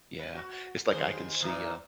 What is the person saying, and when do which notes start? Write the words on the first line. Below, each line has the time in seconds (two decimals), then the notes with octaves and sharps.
Yeah, it's like I can see, uh
0.19 B4
0.34 F#4
0.89 D#2 G#3 C5
1.40 A#2 E3 D#4